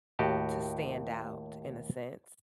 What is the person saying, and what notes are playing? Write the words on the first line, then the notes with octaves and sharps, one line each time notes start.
to stand out in a sense,
D#2 A2 F#4 G4 D#5 A5